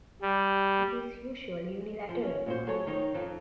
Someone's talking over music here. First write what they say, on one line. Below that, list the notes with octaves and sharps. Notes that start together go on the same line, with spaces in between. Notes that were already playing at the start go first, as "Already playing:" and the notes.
It is usually unilateral.
G3
F3
C#4
A#2 F#4 C5
F#3 G#4 A4 C#5
D#3 D#4 C5 C#5
F2 C4 D#4